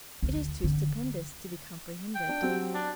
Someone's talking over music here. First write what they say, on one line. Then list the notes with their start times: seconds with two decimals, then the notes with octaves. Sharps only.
It is too stupendous to be comprehended.
0.23 D2
0.64 D3
2.15 G5
2.29 D4
2.42 F#3 C4 G4
2.74 D4